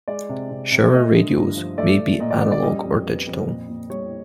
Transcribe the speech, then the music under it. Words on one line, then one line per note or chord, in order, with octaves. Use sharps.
Shower radios may be analog or digital.
G#3 D5
C3
C3
C3
A3 D#5
D3
G2
F3
A3 D5
A3
A#2 D#5
D5
C#4 D#5
D5
G3 D#5
F2
B3
F2
A#2
A#2
G3 C#5